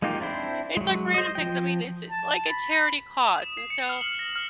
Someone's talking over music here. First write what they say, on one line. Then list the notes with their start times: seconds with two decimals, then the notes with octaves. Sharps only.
it's, like, random things, I mean, it's a like, a charity cause, and so,
0.02 G#3 A#3 D#4 F4 G4
0.20 C4 D4 E4 C5
0.77 F#3 G#3
1.14 C5 D#5
1.35 F3 G5
2.10 A5
2.49 B5
3.27 D#6
3.42 E7
3.57 C7
3.70 C#7
3.89 F6
4.01 F#7
4.19 A#6
4.36 F6